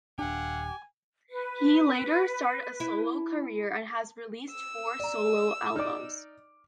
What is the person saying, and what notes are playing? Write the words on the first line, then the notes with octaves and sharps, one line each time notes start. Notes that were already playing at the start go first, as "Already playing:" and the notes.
He later started a solo career and has released four solo albums.
D#1 D4 G4 F5 F#5 G#5
B4
E4
E6
D5 A#5
D#4 D5 D6 F6